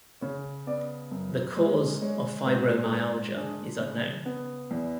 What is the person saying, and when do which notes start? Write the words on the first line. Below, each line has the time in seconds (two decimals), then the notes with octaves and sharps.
The cause of fibromyalgia is unknown.
0.21 C#3 C#5
0.67 B3 D5
1.11 F#2
1.56 G#3
2.01 G#3 C#5
2.46 G#2 B4
2.83 A4
2.91 G#2 B4
3.36 D4 G#4
3.81 C#3
4.26 B3
4.71 E2